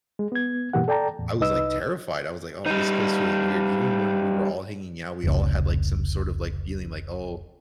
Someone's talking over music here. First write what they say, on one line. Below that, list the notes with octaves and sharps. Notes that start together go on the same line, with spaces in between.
I was, like, terrified. I was, like, "Oh, this place feels weird." Even when we were all hanging out, we all had, like, some sort of, like, feeling like, "Oh,
G#3
B3 G#6
G2 B2 E3 A#3 G4 F#5
A4 D5 G5 A5 A#5
E2 A2
C2 D#4 B4 D#5 E6
G3 D#4
F1 C#2